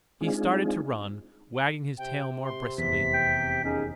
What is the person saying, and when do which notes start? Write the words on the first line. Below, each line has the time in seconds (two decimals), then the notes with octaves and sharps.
He started to run, wagging his tail more briskly.
0.21 G#3 C4 D4 D#4 F4 G#4
1.98 C3 G5
2.43 C6
2.78 F1 E2 B6
3.14 G5
3.64 D#2 C#4 D#4 G#4